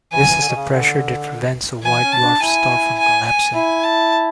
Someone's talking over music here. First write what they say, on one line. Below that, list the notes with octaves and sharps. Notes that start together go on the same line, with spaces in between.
This is the pressure that prevents a white dwarf star from collapsing.
E3 G#5
D3
E3
D3
B2
C#3
D3
E3 G#5
C#4
A5
D4
E4 G#5
G#5
G#5
E4 G#5
A5